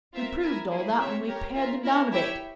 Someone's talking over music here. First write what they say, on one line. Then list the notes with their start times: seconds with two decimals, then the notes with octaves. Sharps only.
We proved all that when we pared them down a bit.
0.14 C4 F4 A#4 E5
0.42 E4 A#4 E5 G#5
0.70 A#3 E4 G#4
0.98 C4 G4 C#5 E5
1.27 G4 A#4 C#5
1.55 F4 A#4 E5
1.84 E4 A#4 C#5
2.12 E4 G4 C#5 E5 G5